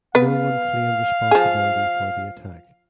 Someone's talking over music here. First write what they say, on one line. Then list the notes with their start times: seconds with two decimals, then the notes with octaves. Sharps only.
No one claimed responsibility for the attack.
0.15 B3 B4 F5
1.31 F3 G#4